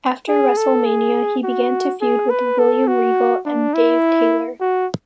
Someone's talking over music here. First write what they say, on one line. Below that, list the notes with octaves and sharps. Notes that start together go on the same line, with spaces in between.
After WrestleMania, he began to feud with William Regal and Dave Taylor.
G#4
A4
G#4
F#4
G#4
B4
A4
F#4
D4
E4
F#4